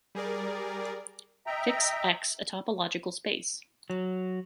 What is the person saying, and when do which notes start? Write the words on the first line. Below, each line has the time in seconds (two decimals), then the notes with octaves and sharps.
Fix "X" a topological space.
0.15 G3 G#4 A#4 D5
1.47 D#5 E5 G5 A#5
3.90 F#3